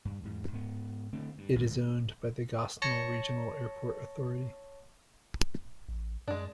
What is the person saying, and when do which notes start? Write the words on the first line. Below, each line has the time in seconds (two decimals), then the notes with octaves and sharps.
It is owned by the Gosnell Regional Airport Authority.
0.05 G2
0.23 E2 G#2
0.53 G#2 B3
1.13 D3 A3 C4
1.38 G2
1.55 G#1 D2 G2
2.82 C#5 A5 A#6 C#7
5.89 A1
6.28 F#2 G#3 D4